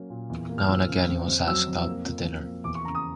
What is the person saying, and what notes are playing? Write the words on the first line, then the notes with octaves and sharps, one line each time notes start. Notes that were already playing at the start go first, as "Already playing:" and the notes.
Now and again he was asked out to dinner.
Already playing: F#3 A#3 C#4
A#2
E2
A#3
F6
F3 E6
C#3
F2
F2
F#3 E6
F2
A#3
F3
F2
A#3
E2 D6
C#6
C#3 A#5
D#6